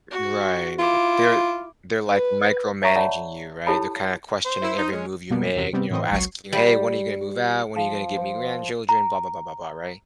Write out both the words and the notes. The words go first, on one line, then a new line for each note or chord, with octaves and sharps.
Right. They're they're, like, micromanaging you, right? They're kinda questioning every move you make, you know, asking you, "Hey, when are you gonna move out? When are you gonna give me grandchildren?" Blah blah blah blah blah, right?
F#4
E4 F4 D6
B4
C#5 E5 A#5 C#6
F4 C#5 D5 E5 F#5 A5
E4 G4 A4 C#5 A5 B5
C5
E4
D#4
G#3 C#4
B2 G3 A#3 B3
E2 C3 F#3
C3 G3 B3 C4
A2 E3 C4 D#5
G#1 C#2 F#3 C#6 C7
G3
F3
C5
A#5